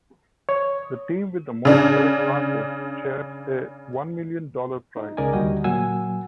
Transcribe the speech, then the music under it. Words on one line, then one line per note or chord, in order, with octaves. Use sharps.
The team with the most correct answers shares a one million dollar prize.
C#5
C#3 D4
D#4
C#2 C#3 A#4 D5 D#5 G#5
D#2 D3 G3 F#4 D#5 G5
A#2 F#3 A#3 F#5 G#5 E6